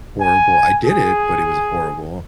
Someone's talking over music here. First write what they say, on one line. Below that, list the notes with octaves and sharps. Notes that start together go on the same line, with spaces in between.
horrible. I did it, but it was horrible.
G#5
G#4